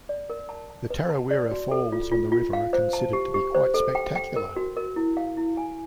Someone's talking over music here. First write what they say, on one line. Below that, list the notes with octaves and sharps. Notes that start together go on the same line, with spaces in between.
The Tarawera Falls on the river are considered to be quite spectacular.
D5
A#4
A5
A5
B4
A5
D5
F#4
A4
F4
F4
F4
F5
C5
A5
G4
G4
C5
A4
G5
G5
A#4
F#4
A#4
E4
F5
E4
G#5